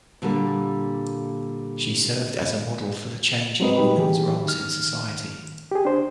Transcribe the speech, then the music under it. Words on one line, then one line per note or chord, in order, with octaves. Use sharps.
She served as a model for the change in women's roles in society.
A#2 D3 G3 A#3
F#3 G#3 C4 A#4 B4 D#5
G3 D#4 G4 B4
D#3 E3 F#3 G4 G#4
D#3 F6
G4 G#4
D4 C5